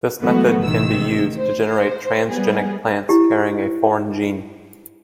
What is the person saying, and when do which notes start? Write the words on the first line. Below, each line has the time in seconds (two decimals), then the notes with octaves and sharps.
This method can be used to generate transgenic plants carrying a foreign gene.
0.24 E3 F#3 G#3 A3 B3 F#4
0.63 A1 C3 D#3 E6
1.37 C5
2.28 G3 B3 G#4
3.09 E4 G4